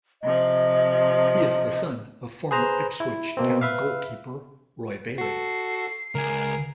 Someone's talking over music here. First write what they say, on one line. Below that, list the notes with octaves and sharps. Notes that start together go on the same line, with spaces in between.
He is the son of former Ipswich Town goalkeeper Roy Bailey.
C3 F3 D#5
G#4 B4 C5 A#5
E4
B2 A#3 C4
B4 E5 F5
F#4 A4 C7
C#2 A#4 G#5